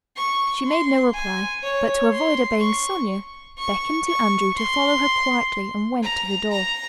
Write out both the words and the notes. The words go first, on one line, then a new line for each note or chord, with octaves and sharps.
She made no reply, but to avoid obeying Sonya beckoned to Andrew to follow her quietly and went to the door.
C#6
C6
G#5
C#5
C6
C#6
C#6
C#6
C6
A#5
A#5